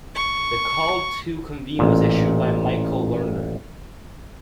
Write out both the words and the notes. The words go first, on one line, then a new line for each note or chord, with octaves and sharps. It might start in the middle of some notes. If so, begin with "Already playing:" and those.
The call to convene was issued by Michael Lerner.
C#6
A1 A#2